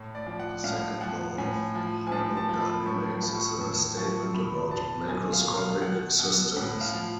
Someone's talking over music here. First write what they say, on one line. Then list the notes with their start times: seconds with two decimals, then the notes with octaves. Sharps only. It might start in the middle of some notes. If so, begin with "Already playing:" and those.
The second law of thermodynamics is a statement about macroscopic systems.
Already playing: A2
0.15 D5
0.27 F3
0.40 F#5
0.64 A2 F5
1.01 F3 F#5
1.38 A2 G#5
1.75 F3
2.07 G#5
2.12 A2 A5
2.37 A5
2.49 F3
2.61 B5
2.86 A2 C#6
3.11 B5
3.23 F3
3.35 C#6
3.61 A2
3.97 F3 C#6
4.16 C#6
4.34 B2 B5
4.71 B2 A5
5.09 B2 G#5
5.33 F5
5.46 B2
5.57 F5
5.82 B2 F#5
6.19 B2 F#5
6.56 A2 F#5
6.81 F5
6.94 F3